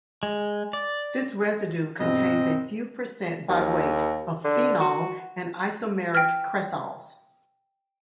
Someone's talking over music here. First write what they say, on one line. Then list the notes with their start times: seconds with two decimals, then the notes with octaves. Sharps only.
This residue contains a few percent by weight of phenol and isomeric cresols.
0.23 G#3
0.73 D5
2.00 B1 G2 C4 D#5
3.49 D#2
4.44 D3
4.80 F#4
6.15 G5 F6